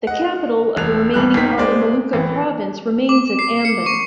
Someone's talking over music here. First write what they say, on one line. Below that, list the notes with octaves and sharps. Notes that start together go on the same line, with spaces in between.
The capital of the remaining part of Maluku province remains at Ambon.
D#5 F#5
E1 F#6 F7
D#1 A1 G3 F#6
G#1 D#3 B6
G#3 C5 D5
A1 E3
D6
C7
C#7
C#6